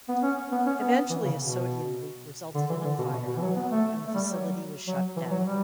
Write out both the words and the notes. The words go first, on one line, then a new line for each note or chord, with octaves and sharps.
Eventually a sodium leak resulted in a fire, and the facility was shut down.
B3
C#4
B3
C#4
B3
E3
C#3
B2
D3
E3
D3
B2
B2
B2
E3
F#3
B3
A3
A3
G3
F#3
F#3
E3
F#3
G3